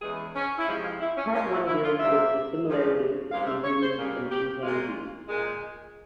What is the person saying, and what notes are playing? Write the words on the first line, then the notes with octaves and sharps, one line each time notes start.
Part one deals with the similarity between humans and chimpanzees.
E2 C#3 E3 G#3 G#4
C#4
E4
F2 C3 F3 G#3 C#4
F4
E4
C#4
A#2 G#3 C#4
E4
E4
F4
C3 G3 A#3 E5
G2 F3 G#3
G#2 G3 A#3 F5
E5
C#5
C5
A#2 G3 A#3 G#4
G4
A#2 G#3 F4
A#2 G#3